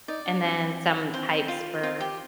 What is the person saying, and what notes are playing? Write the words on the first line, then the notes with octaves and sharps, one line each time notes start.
and then some pipes bur
D#4 D5
D4
C4
C4 C5
F4
C4 F4
G4